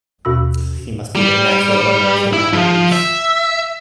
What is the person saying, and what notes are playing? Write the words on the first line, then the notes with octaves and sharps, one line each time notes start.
He must be the natural owner of the madder roots.
D#2 B2 F#4 B5 E6
G3
E4
F3
E5